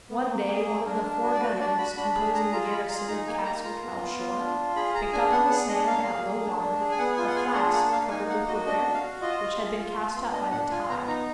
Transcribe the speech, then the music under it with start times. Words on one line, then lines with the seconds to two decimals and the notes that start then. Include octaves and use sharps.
One day one of the four gunners composing the garrison of Castle Calshor picked up on the sand at low water a flask covered with wicker, which had been cast up by the tide.
0.10 B3
0.30 A#3
0.48 G#4
0.66 A#3
0.85 D4 A#4
1.03 D4
1.22 F#4
1.33 D5
1.41 F#4 B4
1.60 D4 D5
1.78 F#4 B5
1.97 D4 B5
2.15 G#4 B5
2.33 G#4 A#5
2.52 F4 A#5
2.70 F4 B5
2.89 G#4 A#5
3.08 D#4 A#5
3.27 A#3 G#5
3.45 A#3 A#5
3.63 F4 A#5
3.83 B3
4.01 B3
4.20 F4
4.39 D4
4.57 F4
4.76 G#4 B5
4.94 G#4 A#5
5.12 D4 G#5
5.31 B3 F#5
5.50 G#4 F#5
5.68 D4 D#5
5.87 A#3 F5
6.05 G#4
6.25 A#3
6.43 D4
6.61 D4
6.80 G#4
6.91 G#5
6.99 B3 F#5
7.17 F4 G#5
7.27 F#5
7.36 G#4 G#5
7.54 D4 F#5
7.73 A#3 F#5
7.92 A#3 F5
8.10 D#4 G#5
8.29 A#3 F#5
8.47 F#4 D#5
8.66 D4 D#5
8.85 F#4
8.94 F5
9.03 F#4
9.21 F4 D#5
9.40 F4
9.58 G#4
9.78 F4
9.96 F4
10.15 B3
10.33 D4 D#5
10.51 D4 F#5
10.71 F4 G#5
10.89 B3 A#5
11.07 D#4 A#5